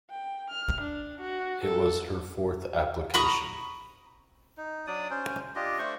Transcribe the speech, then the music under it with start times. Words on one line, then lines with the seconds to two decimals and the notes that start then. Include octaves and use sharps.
It was her fourth application.
0.11 G5
0.51 F6
0.82 D4
1.22 F#4
1.65 A4
3.14 A#5 B5 C#6 D#6
4.57 D#4
4.87 F#3 D4 D5 D#6
5.10 C#4 C5
5.55 D4 F4 G4 D#5
5.79 A3 D4 C5 C#6